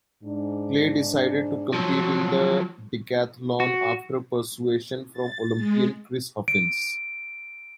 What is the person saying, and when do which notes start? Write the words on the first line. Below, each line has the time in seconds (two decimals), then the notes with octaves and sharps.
Clay decided to compete in the decathlon after persuasion from Olympian Chris Huffins.
0.24 G#2 D4
1.74 F3 F#3
3.60 F#4
5.13 A6
5.57 G#3
6.48 D7